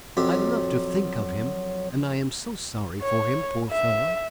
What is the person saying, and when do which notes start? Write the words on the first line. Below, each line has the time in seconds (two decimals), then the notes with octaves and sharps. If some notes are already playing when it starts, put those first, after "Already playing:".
I love to think of him, and I am so sorry for him, poor fellow!
0.17 F2 F#3 G4
3.02 C#5
3.71 E5